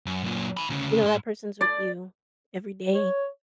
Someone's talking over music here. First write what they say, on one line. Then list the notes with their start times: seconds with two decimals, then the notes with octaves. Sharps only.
you know, that person's with you every day
0.06 F#2
0.24 F#2 A#2
0.57 G#5 B5
0.70 D2 C#3
1.02 G#2 C6
1.61 D5
2.92 C#5